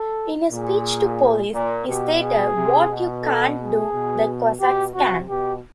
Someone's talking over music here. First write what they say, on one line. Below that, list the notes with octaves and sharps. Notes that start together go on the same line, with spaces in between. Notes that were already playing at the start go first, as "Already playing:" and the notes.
In a speech to police he stated, What you can't do, the Cossacks can.
Already playing: A4
A#2 G#4
A#2
B2 G4
G#4
C3
B2
A4
G#4
B2
B2 G4
C3 F#4
B2 G4